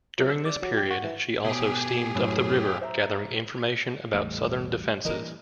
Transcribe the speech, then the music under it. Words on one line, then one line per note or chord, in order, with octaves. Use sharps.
During this period, she also steamed up the river gathering information about Southern defenses.
F#3
E6
D5
F#3
G4
F#4
E3
B2 G4 G#4
F#2 A2 F#3
C5 E5 A#5
A1 E2 A2 G3 A3
G2 A#2 E3 G3 A#4 D#5